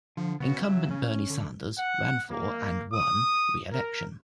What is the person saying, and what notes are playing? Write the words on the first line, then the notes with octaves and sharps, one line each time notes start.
Incumbent Bernie Sanders ran for and won re-election.
D3 F3
C#3 B3 F#4
F#3 E5
C#4
D3
F#5
A#3
D#6
A#4